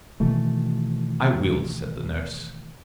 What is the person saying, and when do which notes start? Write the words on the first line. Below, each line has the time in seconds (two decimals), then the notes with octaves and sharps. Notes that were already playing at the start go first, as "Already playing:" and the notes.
"I will," said the nurse.
0.20 B2 D#3 E3 A3